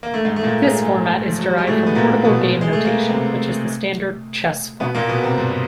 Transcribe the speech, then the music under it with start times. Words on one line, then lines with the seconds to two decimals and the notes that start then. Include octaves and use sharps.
This format is derived from Portable Game Notation, which is the standard chess format.
0.03 A#3
0.14 A3
0.25 G#2 G#3
0.36 A3
0.43 A#2 A#3
0.63 G#2 G#3
0.81 G#2 G#3
1.28 F3
1.39 F#3
1.48 G3
1.58 G#3
1.67 A2 A3
1.86 B3
1.95 A#2 A#3
2.24 B2 B3
2.61 G#3
2.73 A3
2.85 A#3
2.97 B3
3.09 C3 C4
4.80 B2 B3
4.95 A#2 A#3
5.09 B2 B3
5.23 C3 C4
5.38 G2 G3